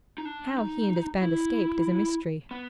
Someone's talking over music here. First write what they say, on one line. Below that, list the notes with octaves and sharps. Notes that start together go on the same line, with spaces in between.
How he and his band escaped is a mystery.
D#4
D4
D#4
E4
B3